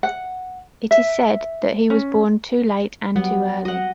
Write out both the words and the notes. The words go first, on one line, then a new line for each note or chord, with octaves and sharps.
It is said, that he was born too late and too early.
F#5
E5
C#4
F#3 G3 B3 G4
F#4 D#5 F#5